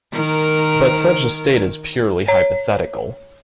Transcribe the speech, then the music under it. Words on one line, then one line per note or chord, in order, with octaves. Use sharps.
But such a state is purely hypothetical.
D#3 A#4
C#5